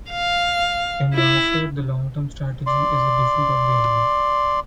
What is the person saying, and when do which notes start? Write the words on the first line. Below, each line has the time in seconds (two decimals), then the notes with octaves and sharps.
In warfare, the long term strategy is the defeat of the enemy.
0.10 F5
1.15 E4
2.66 D5 C6